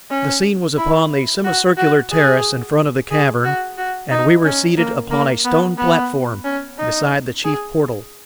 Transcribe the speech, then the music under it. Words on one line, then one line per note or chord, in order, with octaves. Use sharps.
The scene was upon the semicircular terrace in front of the cavern, and we were seated upon a stone platform beside the chief portal.
C#4
E4
F#4
F#4
G#4
G#4
F#4
F#4
D#4
C#4
A#3
A#3
B3
B3
C#4
D#4
G#4